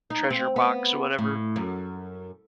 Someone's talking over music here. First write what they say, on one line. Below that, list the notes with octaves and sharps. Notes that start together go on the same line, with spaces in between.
treasure box or whatever.
D#4
C4
B3
A2
F#2